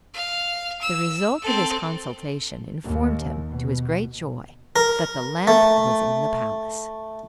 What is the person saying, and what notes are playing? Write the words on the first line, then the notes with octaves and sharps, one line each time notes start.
The result of his consultation informed him, to his great joy, that the lamp was in the palace.
F5
E6
C4 A4
D#2
B2
A#4
A3